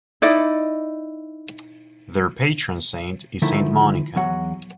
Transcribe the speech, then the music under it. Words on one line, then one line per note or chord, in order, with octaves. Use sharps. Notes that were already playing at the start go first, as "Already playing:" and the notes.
Their patron saint is Saint Monica.
D#4 E4 D5 D#5
D3 D#3 F3 A3 E4
E2 F#3 F#5